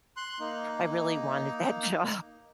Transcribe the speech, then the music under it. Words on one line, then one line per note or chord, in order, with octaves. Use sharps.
"I really wanted that job,"
C6 F#6
A#3 D#4